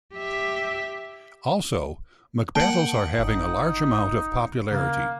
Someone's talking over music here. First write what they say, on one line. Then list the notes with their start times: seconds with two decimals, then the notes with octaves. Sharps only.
Also Mc Battles are having a large amount of popularity.
0.15 G4 E5
2.56 A#3 F#5 G5 A5
3.19 G1 D#4
4.72 C#3 A#3